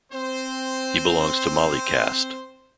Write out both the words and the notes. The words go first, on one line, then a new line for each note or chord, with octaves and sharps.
He belongs to Mali caste.
C4 C5